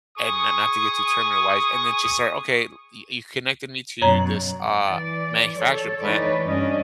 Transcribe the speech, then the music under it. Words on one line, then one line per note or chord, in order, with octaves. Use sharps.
and not not to get too Terminator wise, and then just start, "Okay, y y you connected me to this, uh, manufacturing plant,
G#4 C#6 D#6
F#2 B2 C#5 A#5
E3 D5
A4 C#5
E3 A3 D#4 B4 C#5 D5
G2 G3 C#4 D4 D#5